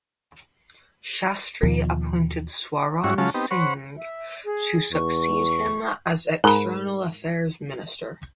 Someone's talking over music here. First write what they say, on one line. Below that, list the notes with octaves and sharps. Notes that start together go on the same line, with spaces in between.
Shastri appointed Swaran Singh to succeed him as External Affairs Minister.
D#2 B2 F3
G#2 C#4 E4 F#4 C#6
C#3 F#3 G#3 C#4 F4 A5
B3 C4 D#4 G4
C5 C#5 F#5 B5 C#6
E5
G#4
E2 C#6
G#2 A#4 B5